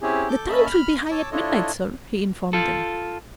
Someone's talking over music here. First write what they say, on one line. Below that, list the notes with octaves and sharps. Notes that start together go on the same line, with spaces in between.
"The tide will be high at midnight, sir," he informed them.
C4 C#4 E4 G4 G#4
A4 D6 G6
A#3 C#4 D#5 E5 A5 B5
B5 F6
C#5 A5 D6 E6
D4 E4 F4 A4 C#5 D#5
F4 A4